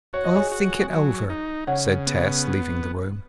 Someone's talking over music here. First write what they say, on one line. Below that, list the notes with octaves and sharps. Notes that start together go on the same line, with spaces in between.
"I'll think it over," said Tess, leaving the room.
F#4 C#5
D#5
G#4 C#5
F#4
F#3
D#4
C#3 C#5 F#5
B3